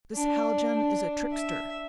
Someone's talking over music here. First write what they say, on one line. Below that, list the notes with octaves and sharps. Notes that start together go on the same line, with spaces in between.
This Haljan is a trickster!
D4
D4
E5